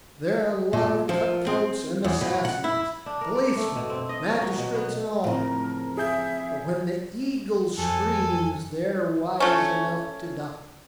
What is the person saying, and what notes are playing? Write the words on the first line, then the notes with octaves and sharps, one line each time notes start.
"They're a lot of cutthroats and assassins--policemen, magistrates and all--but when the eagle screams they're wise enough to duck."
A#2
F3
C4
E2
B2
F#5
E4
D4
A#4
D5
A3
B2
C4
D#5
C#4
F#3
B2
B3
A2 C#3 F3 C4 A#4
G#4 E5 G6
F2 A4 G#5
A3 C#4